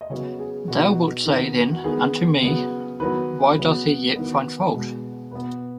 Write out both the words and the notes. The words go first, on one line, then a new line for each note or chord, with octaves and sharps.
Thou wilt say then unto me, Why doth He yet find fault?
D#5
C#3 F#3 B3 C#5
G#4
B2 B3 F#4
D#4
F#4
D#3 B3
F#4
D#3 B3 G#4
C#3 F#3 B3
D#3 F#3 B3 B4
C#3 F#3 B3
D#3 F#3 B3
B2 G#3 B3
B2 B3 B4